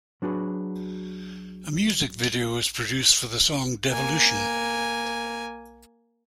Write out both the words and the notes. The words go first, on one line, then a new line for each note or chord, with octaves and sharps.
A music video was produced for the song Devilution.
F#3 D4 F#4 G#4 B4
A#3 G#5